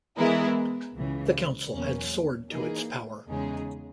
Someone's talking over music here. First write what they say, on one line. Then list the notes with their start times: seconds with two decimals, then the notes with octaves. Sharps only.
The Council had soared to its power.
0.17 E3 G#3 B3 E4 A#4
0.95 C#2 C#3 E3
1.73 E2 B2 F#3 A#3 C#4
2.51 E3 A#3 D#4 G#4
3.29 E2 C#3 G#3 D#4 G#4